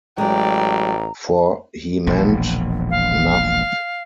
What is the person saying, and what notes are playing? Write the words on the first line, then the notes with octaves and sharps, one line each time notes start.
For he meant nought.
A1 F#3 G#3 D5 G5 A#5
E1 A#1 A#2
F5